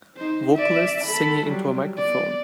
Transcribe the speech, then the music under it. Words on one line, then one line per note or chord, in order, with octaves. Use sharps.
Vocalist singing into a microphone.
D#4 C5
D5 E5
A4 B5
F#3 G3
B3 D5